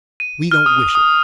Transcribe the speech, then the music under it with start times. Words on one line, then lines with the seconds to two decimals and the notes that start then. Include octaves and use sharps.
We don't wish it.
0.20 D#7
0.51 F6
0.66 D#6
0.95 D#6